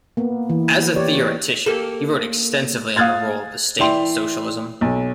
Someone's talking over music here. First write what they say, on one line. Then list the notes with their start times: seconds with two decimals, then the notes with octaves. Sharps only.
As a theoretician, he wrote extensively on the role of the state in socialism.
0.17 A#3 B3
0.50 E3
0.96 G4 C#5 D5
1.66 A#3 G4 A4
2.96 F5 D#6 F6 F#6 G#6 A6
3.79 E3 D5 E5 G5 C6 F7
4.81 B1